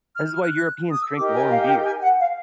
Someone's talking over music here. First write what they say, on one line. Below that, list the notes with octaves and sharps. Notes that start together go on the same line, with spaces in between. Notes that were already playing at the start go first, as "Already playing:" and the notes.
this is why Europeans drink warm beer
F6
F6
F#6
F#6
D#6
E6
D#4 G4 A#4 D6
G#5
F5
G5
G#5
F#5
F5